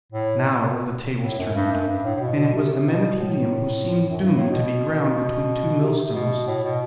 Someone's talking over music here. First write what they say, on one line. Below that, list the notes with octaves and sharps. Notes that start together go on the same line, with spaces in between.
Now were the tables turned, and it was the men of Helium who seemed doomed to be ground between two millstones.
A2
A2
F#2
G2
F#2
G2
A2
A2
B2
B2
C3
B2
A2
F#2
G2
A2
B2
C3
C3
B2
A2
B2